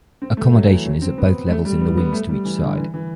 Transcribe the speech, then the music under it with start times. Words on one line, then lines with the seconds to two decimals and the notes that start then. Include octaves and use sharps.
Accommodation is at both levels in the wings to each side.
0.22 C4
0.37 A3
0.53 F#3
0.69 E3
0.85 F#3
1.02 C4
1.18 B3
1.49 A3
1.65 G3
1.81 B3
1.97 B3
2.13 A3
2.29 G3
2.45 E3
2.61 D3
2.78 E3
2.94 E3